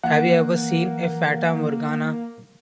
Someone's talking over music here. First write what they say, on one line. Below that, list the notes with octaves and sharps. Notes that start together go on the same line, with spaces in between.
Have you ever seen a Fata Morgana?
E3 A#3 F#5